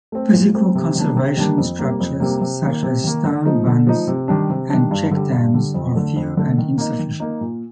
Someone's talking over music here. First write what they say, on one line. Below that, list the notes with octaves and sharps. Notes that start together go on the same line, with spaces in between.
Physical conservation structures such as stone bunds and check dams are few and insufficient.
A3 C4
A#2
A3 C4
C3
D#3 G3 A#3 D4
C3
D#3 G3 A#3 D4
F2
C3 G3 A#3
F2
C3 G3 A#3
C3
D#3 A#3
C3
D#3 A#3
D3
F3 A3 D#4
D3
F3 A3 D#4
C3
D#3 G3 D4
C3
D#3 G3 D4
G2
D3
G3
G2
D3 G3
F2
D3 A3
F2
D3 A3
D#3
A#3 D#4
D#3
A#3 D#4
A#2